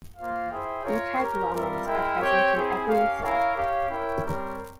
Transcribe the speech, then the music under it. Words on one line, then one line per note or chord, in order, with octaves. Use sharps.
B-type lamins are present in every cell.
A#3 F4 C5 F5
E4 G#4 C5 E5 G5
F4 A#4 C#5
C#4 G4 A#4
G3 C4 F4 A#4 E5
G#3 E4 A#4 E5 G5
C4 G4 C#5 G5
C4 E4 G#4
C#4 G4 A#4 F5
E4 A#4 C#5 F5
C#4 G4 C#5 F5
C#4 E4 A#4 C#5 G5
G3 C4 G4 A#4 C#5